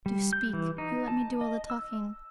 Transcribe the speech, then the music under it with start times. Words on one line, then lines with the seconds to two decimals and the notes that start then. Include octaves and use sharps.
Do speak! You let me do all the talking.
0.06 G3
0.33 G6
0.53 E3
0.78 D#4
1.08 A5
1.41 D#5
1.70 E6